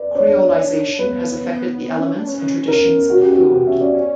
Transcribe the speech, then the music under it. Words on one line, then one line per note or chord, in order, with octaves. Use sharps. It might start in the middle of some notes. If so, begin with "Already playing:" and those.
Creolization has affected the elements and traditions of food.
Already playing: B4 D5
D4 C#5
B3 B4
B3
C#4
D4
C#4
A#4
F#4
G4
F#4
B3 G4
C#4 E5
C#4 D5
C#4